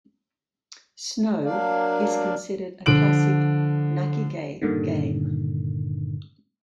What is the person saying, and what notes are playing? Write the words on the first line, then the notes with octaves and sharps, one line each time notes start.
"Snow" is considered a classic "nakige" game.
F#3 A#3 D4 D5 F5
D3 F3 D7 F#7
G2 A#2 D3 D#3